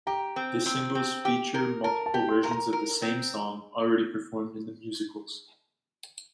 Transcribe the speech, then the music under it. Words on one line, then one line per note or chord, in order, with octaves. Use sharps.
The singles feature multiple versions of the same song, already performed in the musicals.
G4 A#5
C4
C4
C4
G4
A#4
A#4 A5
A5
G4
C6
A#4 C6
A#5
A#4
C4